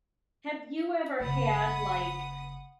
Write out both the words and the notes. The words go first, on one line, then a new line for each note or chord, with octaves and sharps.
Have you ever had, like
F#1 C#3 F#5 B5 D#6